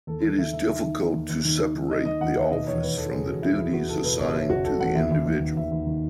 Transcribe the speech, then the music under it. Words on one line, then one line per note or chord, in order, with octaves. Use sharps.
It is difficult to separate the office from the duties assigned to the individual.
D#2 A4
D#2
D#3 E5
D#3 E5
D#3 E5
D#3
D#3
D#2
D#2
D#3
D#3
D#3
D#3 D#5
D#3 D#5
D#2 F#5
D#3 E5
B2 D#5
E2 C#5
E2 B4
E2 A4
F#1 G#4
E2 F#4
E2 E4
E2 E4
E2 F#4
F#1 A4
B2 B4
F#1 C#5
F#1 E5
F#1 F#4
F#1 A4
E2 F#5
D#2 E5
D#2
D#2
D#3
D#2 E5
D#2
D#3